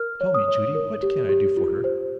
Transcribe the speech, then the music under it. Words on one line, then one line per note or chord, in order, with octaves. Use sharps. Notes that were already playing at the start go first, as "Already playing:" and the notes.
"Tell me, Judy, what CAN I do for her?"
Already playing: A#4 F6
C#5
D#6
C#5
A#4
G4
G4
F4
C5